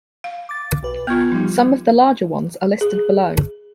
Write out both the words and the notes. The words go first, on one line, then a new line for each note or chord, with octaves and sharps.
Some of the larger ones are listed below.
F5
D6 A6
B1 B4
B3 F4 F6 G#6
F3 G3 D#4
G#4